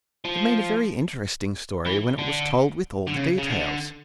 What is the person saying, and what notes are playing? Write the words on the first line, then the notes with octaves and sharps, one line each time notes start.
It made a very interesting story when it was told with all the details.
F3
E3
D3
D3
C#3
C#3
D3